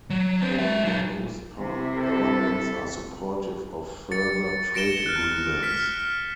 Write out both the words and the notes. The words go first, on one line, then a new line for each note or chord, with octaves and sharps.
For the most part, governments are supportive of further trade agreements.
F#3
C4 B4
G#3 E5
F#3 D#4
C3 E4
A4
A6 C#7
A#6 C#7 D7 E7 G7
F6 F#6
F6 B6